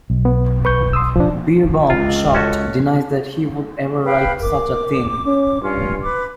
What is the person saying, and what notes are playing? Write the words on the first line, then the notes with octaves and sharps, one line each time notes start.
Beerbohm, shocked, denies that he would ever write such a thing.
B1
B3
B4 C#6 G6
C6 D#6 E6
F3 D4
C#2 F4
C#4 F#4 A4
B4 F5 G5
A#4 D6
C#4
G2 C#4 F4
B4 D6